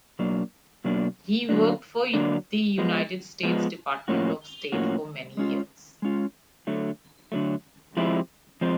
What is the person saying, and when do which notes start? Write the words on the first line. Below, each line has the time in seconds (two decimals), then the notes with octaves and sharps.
He worked for the United States Department of State for many years.
0.19 B2 F#3 A#3 D4
0.84 B2 F#3 A#3 D4
1.49 D3 F#3 A#3 D4
2.14 D3 F#3 A#3 D4
2.78 F3 G#3 B3
3.43 F3 G#3 B3
4.08 A2 F3 A#3 C#4 F#4
4.72 A2 F3 A#3 C#4 F#4
5.37 G#3 C#4 F4
6.02 G#3 C#4 F4
6.67 D3 F#3 A3
7.32 D3 F#3 A3
7.97 F3 G#3 C4 E4 G4
8.61 F3 G#3 C4